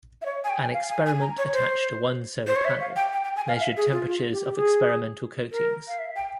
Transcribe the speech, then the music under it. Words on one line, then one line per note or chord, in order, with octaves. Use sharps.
An experiment attached to one solar panel measured temperatures of experimental coatings.
E5
C#5
G#5
G5
G#5
F5
G#5
G#5
A#5
C#5
C5
C5
C#5
E5
F5
G5
G5
G5
G#5
F5
E5
G#4
F4
F4
G4
G4
G#4
A#4
F5
E5
G5